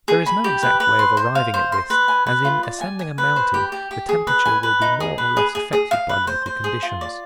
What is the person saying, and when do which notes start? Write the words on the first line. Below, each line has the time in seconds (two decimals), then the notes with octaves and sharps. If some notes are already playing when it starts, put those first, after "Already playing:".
There is no exact way of arriving at this, as in ascending a mountain the temperature will be more or less affected by local conditions.
0.08 G#4
0.26 B5
0.44 G4
0.63 B4
0.80 B4
0.99 C6
1.17 C5
1.35 F5
1.54 C5
1.72 C6
1.90 B4
2.08 G#5
2.26 B4
2.45 F4
2.63 D5
2.81 G#5
2.99 G#5
3.18 B4
3.36 C5
3.54 G4
3.72 G4
3.91 G4
4.09 G#4
4.27 B4
4.45 G#5
4.63 B4
4.82 D#4
5.00 G#4
5.18 B4
5.37 G#4
5.55 G#4
5.73 G#4
5.91 F5
6.09 B4
6.27 C5
6.46 C5
6.64 G#4
6.83 F4
7.01 D5